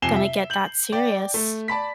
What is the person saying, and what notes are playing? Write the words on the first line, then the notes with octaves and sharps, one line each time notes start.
gonna get that serious.
F2 C3 G#5 C7 E7 G7
E5
G6 F#7
D5 G5
A3
D5 A5 B5 B6